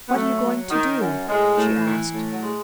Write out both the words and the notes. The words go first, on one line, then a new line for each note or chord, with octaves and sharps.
"What are you going to do?" she asked.
B3
F#3 A3
F#3
D#3
F#2
A2 G#3
A2
E3
A2
F#3
G#3